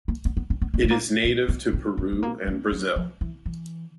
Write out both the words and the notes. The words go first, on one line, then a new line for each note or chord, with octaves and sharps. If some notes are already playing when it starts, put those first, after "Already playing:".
It is native to Peru and Brazil.
A#3
B3
B3
C4
B3
A#3
A3
A#3
B3
B3
C4
B3
A3
A#3
A3
F#3
F3
E3
E3